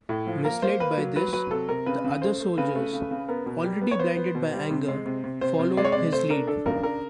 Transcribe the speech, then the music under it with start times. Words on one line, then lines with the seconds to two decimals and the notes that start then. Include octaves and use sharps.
Misled by this, the other soldiers, already blinded by anger, follow his lead.
0.09 A2
0.27 F3
0.45 A#3 A#4
0.62 A#3 C5
0.80 A#3 B4
0.98 F#3
1.16 F#3 B4
1.33 F#3 B4
1.51 C3 A4
1.69 C3 A#4
1.86 C#3 B4
2.04 C#3
2.22 A3 C5
2.40 A3
2.58 C#3 B4
2.75 A3
2.93 C#3
3.11 C#3
3.28 B3 A#4
3.46 B2
3.64 G3
3.81 B3
3.91 C#5
3.99 B3 C5
4.17 B3
4.35 B2
4.53 G3
4.70 C3
4.88 G#3
5.06 C3
5.24 C3
5.41 C3 C5
5.59 C3
5.77 G#3 D5
5.85 C#5
5.92 C3 D5
6.12 A3 C5
6.30 D4 A#4
6.47 D4 A4
6.66 C#3 A#4
6.83 D4 A#4